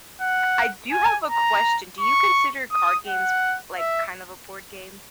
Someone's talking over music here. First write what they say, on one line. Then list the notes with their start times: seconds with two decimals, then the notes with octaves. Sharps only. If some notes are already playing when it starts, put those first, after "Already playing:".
I do have a question, do you consider card games, like, kind of a board game?
0.21 F#5
0.91 G#5
1.28 A#5
2.00 C#6
2.72 D#6
3.07 F#5
3.78 E5